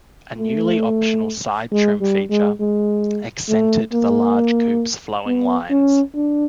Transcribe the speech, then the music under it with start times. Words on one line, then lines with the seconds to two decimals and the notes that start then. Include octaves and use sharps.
A newly optional side trim feature accented the large coupe's flowing lines.
0.38 A3
1.72 G#3
2.01 G3
2.30 G#3
2.60 G#3
3.49 A3
3.93 A#3
5.26 B3
5.70 C#4
6.15 D4